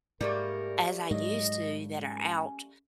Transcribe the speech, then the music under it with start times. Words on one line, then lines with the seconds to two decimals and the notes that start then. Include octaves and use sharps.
as I used to that are out
0.21 G#2 G3 A3 A#3 A#4
1.11 G#2 F#3 D#5
1.97 C#4